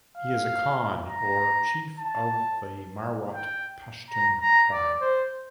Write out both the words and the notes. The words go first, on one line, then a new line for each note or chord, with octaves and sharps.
He is a Khan, or Chief of the Marwat Pashtun tribe.
F5
A#5
A5
G5
A#5
A#5
D5
C5